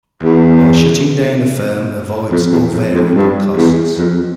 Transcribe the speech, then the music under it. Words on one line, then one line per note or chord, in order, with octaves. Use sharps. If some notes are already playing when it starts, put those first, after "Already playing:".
By shutting down a firm avoids all variable costs.
E2
F2
E2
F2
F2
G2
E2
F2